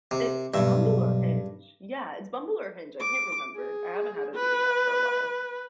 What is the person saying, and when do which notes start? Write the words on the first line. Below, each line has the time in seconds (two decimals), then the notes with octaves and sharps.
it's Bumble or Hinge. Yeah, it's Bumble or Hinge, I can't remember, I haven't had a dating app for a while.
0.11 C3
0.54 B1 G2 C#3 E5
3.00 D6
3.56 G#4
4.35 B4